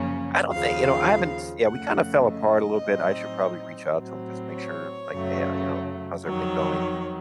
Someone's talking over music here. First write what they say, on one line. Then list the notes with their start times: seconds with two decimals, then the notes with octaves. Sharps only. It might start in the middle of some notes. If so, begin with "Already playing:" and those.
I don't thi you know, I haven't Yeah, we kinda fell apart a little bit, I should probably reach out to him just to make sure, like, "Hey, uh, you know, how's everything going?"
Already playing: F#2 C#3 F3 A#3 C#4
0.52 D#2 C#3 F3 F5
1.66 F2 C#3 A3 F#5
2.24 D#5
2.81 A2 F#3 C4 D#4
3.95 A2 F#3 C4
4.53 C#5
5.10 F#2 C#3 F#3 A3
6.25 F2 D#3 F#3 C#5